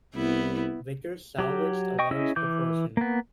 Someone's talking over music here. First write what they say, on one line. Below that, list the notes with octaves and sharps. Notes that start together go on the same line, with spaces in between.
Vickers salvaged a large proportion.
C2 B3 E4
F#3 G4
D#5 G5 C#6
C#4 E4 G#4 D#5 E6
E3 D6 G6
A#3 B3